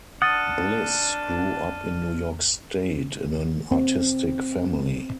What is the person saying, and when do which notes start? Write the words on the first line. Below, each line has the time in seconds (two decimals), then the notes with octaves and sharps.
Bliss grew up in New York State in an artistic family.
0.22 D4 F#5 A5 D#6 F6 A6 D#7
3.71 C4